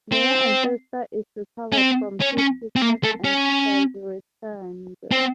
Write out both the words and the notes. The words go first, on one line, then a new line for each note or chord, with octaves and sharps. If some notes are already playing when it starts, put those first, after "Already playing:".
Their ancestor is recovered from his sickness and has returned.
C4
C#4
C4
C#4
C#4
C4
A#3
A3
C#4
C4